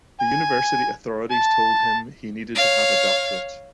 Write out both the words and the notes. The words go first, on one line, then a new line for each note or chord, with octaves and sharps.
The university authorities told him he needed to have a doctorate.
G#5
A5
C#5 F5